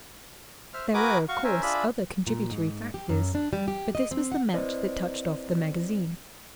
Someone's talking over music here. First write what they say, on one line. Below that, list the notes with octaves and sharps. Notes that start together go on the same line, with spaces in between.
There were, of course, other contributory factors, but this was the match that touched off the magazine.
C5 E5 F6
F#4 A#4 B4 G#5 D6 D#6
F#4 F5 C#6
C#4 A#4 C5 E5 G#5
D4 F4 G#4 D5 E5 B5
A#2
G#2
G4
F#2
D4
G3
G4
D#5
C4
F#5
C4 E4 B4 C5 D5 D#5